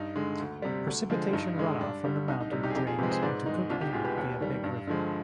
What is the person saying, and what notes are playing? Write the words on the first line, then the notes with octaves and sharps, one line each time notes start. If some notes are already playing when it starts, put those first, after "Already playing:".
Precipitation runoff from the mountain drains into Cook Inlet via Big River.
Already playing: G2 D#4
D3 G#3
D2
C3 G3
D2
D3 F3 G#3
G2 D#4
D3 G#3
G2 D4
D3 G3
C2 D#4
D#4
C3 G3
D#4 G4
G#4
F2 D#4 G4
F4 G#4
C3 F3 G#3 G4 B4
G#4 C5
G#2 B4 D5
D#3 G#3 D#4
C2 D4 F4
D#4 G4
B2 G#3 F4 G#4
G4 B4
D#2
D#3 G3
G2
D3 F3 G#3